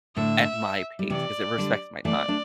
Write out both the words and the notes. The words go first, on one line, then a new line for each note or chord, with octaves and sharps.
at my pace, 'cause it respects my time.
A2 D3 E5
G3
C3 E3 D5
D3 G3
E3 A3 D5
A3 D4